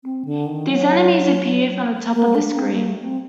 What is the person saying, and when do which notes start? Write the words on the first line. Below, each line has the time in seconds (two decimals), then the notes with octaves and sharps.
These enemies appear from the top of the screen.
0.04 C4
0.25 D3
0.46 D#3
0.68 F#3
2.14 A#3
2.35 D4
2.56 C4
2.72 A#3
2.88 A3
3.03 C4